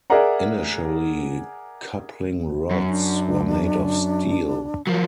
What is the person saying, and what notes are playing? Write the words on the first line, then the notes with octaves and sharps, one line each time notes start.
Initially, coupling rods were made of steel.
G#4 A#4 D5 E5 F#5 A#5
F#2
D4
F3 F#3 A#4